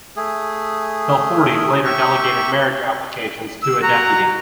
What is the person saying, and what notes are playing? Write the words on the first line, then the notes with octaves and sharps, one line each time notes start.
Belforti later delegated marriage applications to a deputy.
A3 G#4
G4 E5 C#6
E6
F#4 A#5